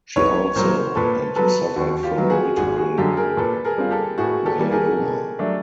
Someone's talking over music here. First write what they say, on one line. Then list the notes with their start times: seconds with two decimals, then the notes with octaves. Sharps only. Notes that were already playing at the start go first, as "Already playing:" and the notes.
She also and suffered from multiple myeloma.
0.16 B1 B4 C#5
0.56 A#2 F#3 A#4 C5
0.96 A#2 A4 B4
1.36 F#3 B3 A4 B4
1.76 D#2 F#4
2.03 F4 G4
2.17 D#3 F#3 B3
2.30 F#4 G#4
2.57 G#1 F#4 G#4
2.77 F#4 G#4
2.98 F#2 D3 F#3 G4 A4
3.17 G#4 A#4
3.37 A#2 A4 B4
3.65 G#4 A#4
3.78 G3 C4 F4
3.91 G4 A4
4.18 A2 F#4 G#4
4.46 G4 A4
4.59 E3 G3 A#3
4.72 G#4 A#4
4.98 B2
5.39 F#3 A3 D4